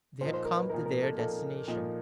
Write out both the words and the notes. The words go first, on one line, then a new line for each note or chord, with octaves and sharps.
They had come to their destination.
A#2 F3 A#3 D#4 C5
C5
A#4
B4
A#2 F3 A#3 D#4 A#4
A#4
A4
A#2 F3 A#3 D#4 A4
A#2 F3 A#3 D#4